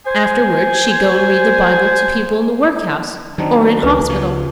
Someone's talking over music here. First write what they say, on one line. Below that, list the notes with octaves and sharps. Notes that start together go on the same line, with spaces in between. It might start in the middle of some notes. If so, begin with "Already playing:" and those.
Afterwards she'd go and read the Bible to people in the workhouse or in hospital.
C5 G#5
D#3 F#3 C4 D4 D#4
C#2 C#4 A#4 B4
C#3 F3 F#3